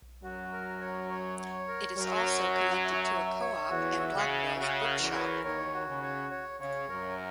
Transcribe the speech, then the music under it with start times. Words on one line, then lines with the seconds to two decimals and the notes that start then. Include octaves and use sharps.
It is also connected to a Co-Op and Blackwells bookshop.
0.22 F#2 F#3 F#4
0.52 A#4
0.81 C#5
1.10 C#5
1.39 C#5
1.68 A#4
1.96 F#2 F#3 A#4
2.26 C#5
2.55 C#5
2.84 E5
3.12 E5
3.41 C#5
3.70 E2 E3 F#4
3.99 E5
4.14 C#3
4.29 E5
4.57 C#3 F#4
4.86 A#4
5.00 E2 E3
5.15 C#5
5.44 D#2 D#3 C#5
5.73 F#4
5.87 C#3
6.02 C#5
6.31 C#5
6.60 C#3 C#5
6.89 F#2 A#4